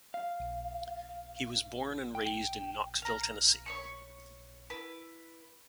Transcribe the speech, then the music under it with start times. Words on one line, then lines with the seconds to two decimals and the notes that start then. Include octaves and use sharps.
He was born and raised in Knoxville, Tennessee.
0.14 F5
2.15 G5
3.02 F5 A#5
3.66 C#5 B5 C#6
4.70 E4 B4